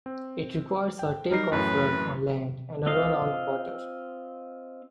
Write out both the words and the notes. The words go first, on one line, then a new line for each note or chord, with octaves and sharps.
It requires a takeoff run on land and a run on water.
C4
G5
G3 D#4 A#4 C7
F#2 A2 E3 B4
C4 F4 D#5 F5